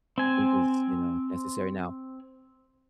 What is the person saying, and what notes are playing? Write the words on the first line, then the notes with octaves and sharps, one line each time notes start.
think is, you know, necessary. Now,
C4 G#5